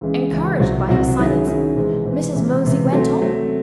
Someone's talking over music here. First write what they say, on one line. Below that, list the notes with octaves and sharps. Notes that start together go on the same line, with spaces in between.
Encouraged by her silence, Mrs. Mosey went on.
C#2 C#3 E3 G#3
C#2 C#3 E3 G#3
C2 C3 F#3 C4 F#4
C2 C3 F#3 C4 F#4
D#3 F#3 C#4 E4 G#4
D#3 F#3 C#4 E4 G#4
C3 E3 G#3 C4
C3 E3 G#3 C4
C#2 C3 E3
C#2 C3 E3
F#3 A3 C4
F#3 A3 C4